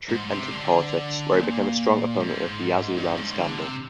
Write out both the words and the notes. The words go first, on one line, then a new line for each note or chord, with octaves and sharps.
Troup entered politics, where he became a strong opponent of the Yazoo land scandal.
G#2
C3
D3
A#2
G#2
G2
G#2
D3
C3